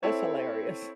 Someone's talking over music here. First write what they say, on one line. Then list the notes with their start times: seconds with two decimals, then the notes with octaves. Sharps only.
That's hilarious.
0.03 C4 E4 A4 C#5